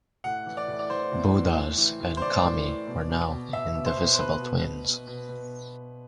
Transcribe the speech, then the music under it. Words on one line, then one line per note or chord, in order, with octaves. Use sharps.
Buddhas and kami were now indivisible twins.
A2 F#5
E3
D5
A2
D5
E3 C5
A2
E3
A2
E3
A2
C5
E3 D5
A2
E3
B2
B2
B2
B2 E5
B2
C5
B2
C5
B2 B4
B2
B2
B2
B2
B2